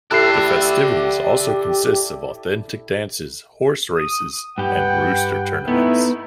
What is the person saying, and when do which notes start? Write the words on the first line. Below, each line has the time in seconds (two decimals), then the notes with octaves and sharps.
The festivities also consist of authentic dances, horse races, and rooster tournaments.
0.11 E4 G4 A4 D5 E5 F#6 C7
3.95 D#6
4.58 G2 G4 B4 F#5 G5
5.68 A3 B3 D#4 E4